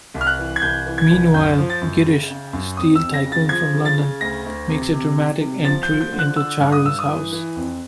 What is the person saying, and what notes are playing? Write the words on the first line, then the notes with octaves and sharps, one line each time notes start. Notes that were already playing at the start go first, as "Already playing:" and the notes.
Meanwhile, Girish, a steel tycoon from London, makes a dramatic entry into Charu's house.
C2
F6
F#6
E3
G#6
C2 G6
E3
G#6
C2
F#2 G6
F3
A6
F#2
C#3
C#3
F#2
F2 D#6
E6
F2
A#6
C#3
A6
F3 G#6
C#3
A6
C#3
D2 A#6
D2
C3
C3
D#3
C3
F3 A6
G6
F3
G6
D3
F#6
D3 E6
G2
D#6
G2 E6
D#6
E3
E3
F2